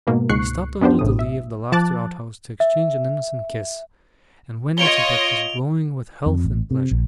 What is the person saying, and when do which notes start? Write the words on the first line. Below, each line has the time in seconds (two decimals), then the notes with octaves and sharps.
We stopped under the lee of the lobster-outhouse to exchange an innocent kiss, and went in to breakfast glowing with health and pleasure.
0.07 G#2 B2 A#3
0.29 C#2 G#2 C#6 F#6 C7 C#7
0.81 F#2 B3 D4 G4 C5
0.99 A1 A2 D#6
1.19 E5
1.72 F3 A5 D6 F#6 A6
2.60 E5
4.78 F4 C#5 D#5 D7 F7 G7
6.26 F2
6.44 A1
6.71 C3
6.91 A#1